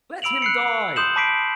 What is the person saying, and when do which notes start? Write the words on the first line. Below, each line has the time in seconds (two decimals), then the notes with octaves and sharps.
'Let him die!
0.22 B5 E6 D7 F7 F#7
0.42 F#6 C7 C#7
0.96 C6 D#6 G6 E7 F#7
1.16 A5 B5 D6 B6 C7 D7